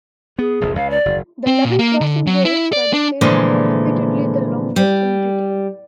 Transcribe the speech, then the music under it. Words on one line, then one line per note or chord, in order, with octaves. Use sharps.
The level crossing gates by the station are reputedly the longest in Britain.
B3 G#4
F1 A#1 F2
C#2 F5
D5
F#1 D#2
C4
A#2
A#3
D3
F#3
E4
D5
D4
A#2 D3 E3 F3 G#3 A3
G3